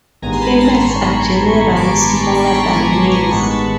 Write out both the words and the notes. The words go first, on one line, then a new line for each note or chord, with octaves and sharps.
Females are generally smaller than males.
A1 G2 D#3 G#3 B3 G#5 A#5
C6
A5 B5
A#5 C6
B5 C#6
C6 D6
C6 D6
B5 C#6
B5 C#6
A#5 C6
G#5 A#5
A5 B5
A#5 C6
A1 G2 D#3 G#3 B3 B5 C#6
A5 B5
B5